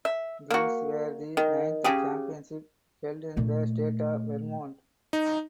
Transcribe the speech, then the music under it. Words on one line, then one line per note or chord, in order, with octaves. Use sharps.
These were the ninth championships held in the state of Vermont.
E5
A#3 F#4
D#3
C#3 G4 G#4
A#2 A3
D#4